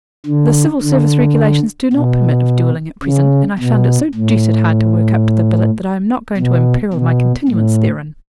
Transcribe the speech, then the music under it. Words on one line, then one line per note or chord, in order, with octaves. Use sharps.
The Civil Service regulations do not permit of duelling at present, and I found it so deuced hard to work up to the billet that I am not going to imperil my continuance therein.
D3
D3
B2
C#3
B2
A2
B2
B2
A2